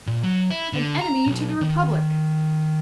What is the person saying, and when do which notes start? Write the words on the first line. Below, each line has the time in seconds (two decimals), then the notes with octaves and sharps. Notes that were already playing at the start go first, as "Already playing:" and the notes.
"An enemy to the Republic!"
0.07 A#2
0.23 F#3
0.50 E4
0.73 D3
1.01 A#5
1.27 B1
1.61 D#3